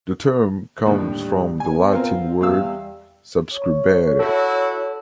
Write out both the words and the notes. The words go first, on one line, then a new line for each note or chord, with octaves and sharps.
The term comes from the Latin word "subscribere".
D#2 A2 D3 G3
B3 G#5
C4 F4 A#4
E2 G3 F5 E6
C#5
E4 F#4 A4 A5